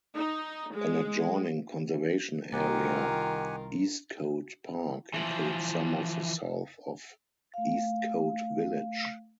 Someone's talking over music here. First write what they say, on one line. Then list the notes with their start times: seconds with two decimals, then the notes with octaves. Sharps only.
An adjoining conservation area, Eastcote Park, includes some of the south of Eastcote Village.
0.15 D#4
0.74 G#3
2.52 C2 D#3 F4 G4 A#4 F#5 G#5
5.14 E3 F3
7.54 A3 F5